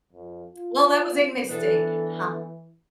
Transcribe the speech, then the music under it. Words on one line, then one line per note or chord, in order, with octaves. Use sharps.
well, that was a mistake, ha
F2
F4
E3 B3 D4 A4